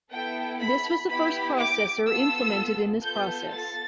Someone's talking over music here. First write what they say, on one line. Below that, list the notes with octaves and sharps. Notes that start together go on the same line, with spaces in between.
This was the first processor implemented in this process.
B3 E4 A4 G5
B5
B3 E4 G4 B5
D6
B3 F4 A4 E6
B3 F4 A4 G6
A6